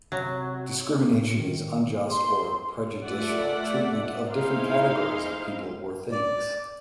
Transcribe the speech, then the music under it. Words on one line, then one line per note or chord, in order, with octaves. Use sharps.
Discrimination is unjust or prejudicial treatment of different categories of people or things.
C3 F#3
A2
D#3
C6
A3 F4 D5 E5 F#5
D#4 E4 G#4 C5 F5 C6
D5